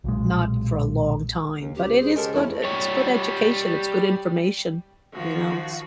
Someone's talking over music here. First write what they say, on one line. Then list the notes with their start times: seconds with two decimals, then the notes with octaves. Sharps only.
not for a long time, but it is good e it's good education, it's good information. You know, it's
0.04 B1 A#2 G#3
1.60 D#2
1.75 C#2 G4
1.89 C5
2.01 G#4
2.16 C#3 G#3 G4 A4 A#4
2.34 F2 A3 E4 C#5
2.64 G3 C#5
5.14 D#3 F3 F#4